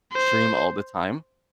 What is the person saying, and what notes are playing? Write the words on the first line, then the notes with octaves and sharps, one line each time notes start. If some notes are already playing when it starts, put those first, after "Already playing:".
stream all the time,
C5